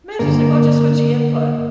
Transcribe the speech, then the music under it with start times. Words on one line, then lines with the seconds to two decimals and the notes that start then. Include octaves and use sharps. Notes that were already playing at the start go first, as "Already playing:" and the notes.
mine's just like, "Oh, just switch the input,"
0.19 G2 D3 A#3 A#4